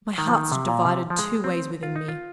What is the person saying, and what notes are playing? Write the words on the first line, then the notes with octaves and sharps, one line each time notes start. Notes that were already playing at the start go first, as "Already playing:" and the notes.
My heart stood divided two ways within me.
D#3
F3
D#3
C3
A#2
C3
F3
G#3
C4
F4
D#4
F4